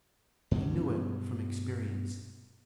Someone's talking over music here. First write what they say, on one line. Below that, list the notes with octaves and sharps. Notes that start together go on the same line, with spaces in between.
He knew it from experience.
G2 B2 F#3 G3